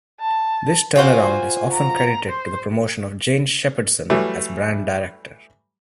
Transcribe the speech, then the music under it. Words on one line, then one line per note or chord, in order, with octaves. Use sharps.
This turnaround is often credited to the promotion of Jane Shepherdson as brand director.
A5
F4 F#4 C5 G#5
A#5
C5
E3 F#3 G3 A3